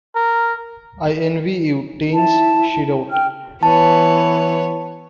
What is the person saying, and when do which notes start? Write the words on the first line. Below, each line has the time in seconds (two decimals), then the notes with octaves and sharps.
I envy you, teens, she wrote.
0.15 A#4
2.12 E4 A5
3.11 G5 F6
3.63 E3 B3 C#5 A5